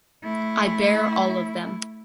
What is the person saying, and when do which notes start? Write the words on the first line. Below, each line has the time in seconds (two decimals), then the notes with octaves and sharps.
I bear all of them.
0.24 A3 E4